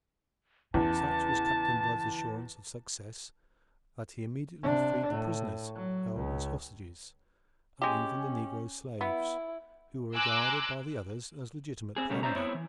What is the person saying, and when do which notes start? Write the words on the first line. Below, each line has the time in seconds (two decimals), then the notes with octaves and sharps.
Such was Captain Blood's assurance of success that he immediately freed the prisoners held as hostages, and even the negro slaves, who were regarded by the others as legitimate plunder.
0.74 E2 C#3 A5
4.63 C3 D4
5.09 A2
5.75 F#3
6.14 C#2
7.82 G#3 C#4 G4
9.01 B3 E4
10.15 G#5 A#5 C6 D6 E6 F#6
11.96 C4 G#4
12.10 C#3 G3 A3 A#3 C#4
12.23 C#4 C5 D5 E5 A#5
12.35 B3 C4 E4 C#5
12.54 E3